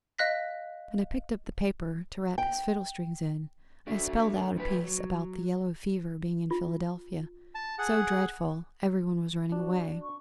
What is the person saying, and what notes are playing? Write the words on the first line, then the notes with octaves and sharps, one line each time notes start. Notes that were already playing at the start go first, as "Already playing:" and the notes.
When I picked up the paper to wrap his fiddle-strings in, I spelled out a piece about the yellow fever being in Philadelphia so dreadful every one was running away.
D#5 F5 F#6 A#6 B6
G5
A3 D4 F#4 E5
F#2 A2 F3 D4 B4
F#3
F4
A5
G#4 F#5
D4 F#4
C#6